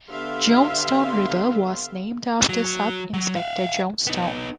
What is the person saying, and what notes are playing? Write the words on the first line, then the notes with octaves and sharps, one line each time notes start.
Johnstone River was named after Sub Inspector Johnstone.
D3 B3 G4 E5 F5 C6
F#3
F#3
E5 F5
B3 D#4